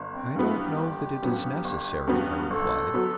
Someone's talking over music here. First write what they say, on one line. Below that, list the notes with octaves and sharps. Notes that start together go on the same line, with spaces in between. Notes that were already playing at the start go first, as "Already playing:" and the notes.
"I don't know that it is necessary," I replied.
Already playing: G1
C4
G2 F#3 B3 E4
G4
G1
G2 F#3 B3
G1
G2 F#3 B3
G1 A4
F#3 B3